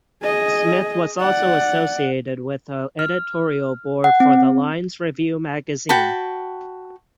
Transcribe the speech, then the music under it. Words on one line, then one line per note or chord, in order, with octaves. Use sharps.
Smith was also associated with the editorial board for the Lines Review magazine.
G#4 D#5
D5 F#5
F6
F#5
C4
F#4 G5 A5 B5